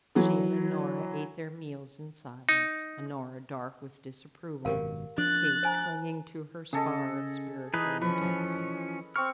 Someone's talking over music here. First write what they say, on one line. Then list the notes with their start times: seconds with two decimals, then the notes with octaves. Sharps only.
She and Honora ate their meals in silence, Honora dark with disapproval, Kate clinging to her spar of spiritual integrity.
0.15 E3 F#3
2.49 D#4
4.65 G#1 F#2 B2 G4 A#4 F5
5.18 F3 D4 F#6 A6
5.63 C5 G#5 A#5
6.73 C#3 G#4 A4 D#5
7.74 E3 D#4 G#4 B4
8.01 F3 C#4 B4
8.21 F3
9.16 C4 C#6 F6